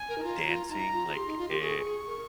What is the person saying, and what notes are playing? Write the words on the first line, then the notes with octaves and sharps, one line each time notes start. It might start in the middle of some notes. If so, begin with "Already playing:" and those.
dancing, like, e
Already playing: G#5
A#4
D#4
F4 A#5
F4
D#4 A#5
F4
G#4
G4 C6
D#4
F4
G4
G#4 C#6
G#4
A#4